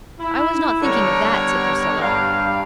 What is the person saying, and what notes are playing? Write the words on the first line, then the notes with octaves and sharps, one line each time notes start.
"I was not thinking of that," said Priscilla.
E4
D3 G3 B3 A#4 C#5
G2 F5